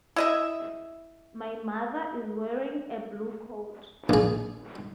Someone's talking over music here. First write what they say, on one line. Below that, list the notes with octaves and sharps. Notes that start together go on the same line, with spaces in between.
My mother is wearing a blue coat.
E4 D#5 E5
A#1 G#4